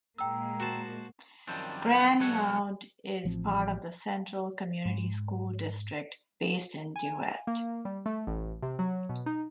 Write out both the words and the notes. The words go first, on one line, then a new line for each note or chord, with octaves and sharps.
Grand Mound is part of the Central Community School District, based in DeWitt.
A#2 G#3 A#3 G5 A#5 E6
F#4 C5 A5
F#2 D#3 F3 G3 C4 D4
B2 F#3 G#3 A4 C#5 F#5
A1 F3 C4
G#2
G#5
A#3
G3
A3
A1
C3
F#3
B2
D#4